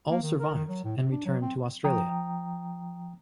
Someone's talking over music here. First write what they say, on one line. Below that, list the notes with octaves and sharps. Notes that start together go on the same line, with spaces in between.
All survived and returned to Australia.
A#3
D#3
A#4
D#3
F#3
A2
C3
D4
F#3
C4
F3 G5 A#5 D#6